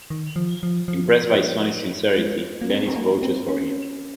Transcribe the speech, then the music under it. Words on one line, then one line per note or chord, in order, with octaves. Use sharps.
Impressed by Sonny's sincerity, Lenny vouches for him.
D#3
F3
F3
F3
G#3
A#3
C4
C4
A#3
C4
C#4